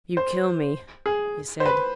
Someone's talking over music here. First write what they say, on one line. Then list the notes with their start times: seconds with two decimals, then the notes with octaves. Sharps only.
"You kill me!" he said.
0.17 C5
1.06 G#4
1.60 C5
1.65 B4